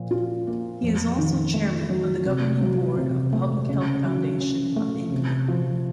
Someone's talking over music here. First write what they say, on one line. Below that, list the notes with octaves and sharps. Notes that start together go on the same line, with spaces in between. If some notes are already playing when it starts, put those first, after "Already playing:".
He is also Chairman of the Governing board of Public Health Foundation of India.
Already playing: A#2 F3
F4
A#3
F2
D#3
A3
F#3
C3
F#3
C3
A3
C#3
F#3
C#4
A3
C3
F3